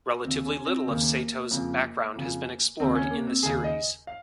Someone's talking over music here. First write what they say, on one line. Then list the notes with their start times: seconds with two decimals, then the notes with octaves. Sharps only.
Relatively little of Sato's background has been explored in the series.
0.24 D#2 C#3 C4
0.46 C#4
0.66 C4
0.87 D#2 C#3 A#3
1.51 F2 C#3
2.16 F2 C#3
2.80 D#2 C#3 C4
2.95 C#4
3.11 A#3
3.27 C4
3.43 D#2 C#3 G#4
3.64 D#5
4.07 F5